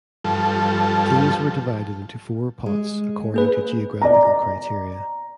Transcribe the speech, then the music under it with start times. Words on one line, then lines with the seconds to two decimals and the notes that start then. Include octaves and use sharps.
Teams were divided into four pots according to geographical criteria.
0.25 G2 F3 A4
2.66 G#3
3.34 A#3 G#4 B4
4.02 D5 A#5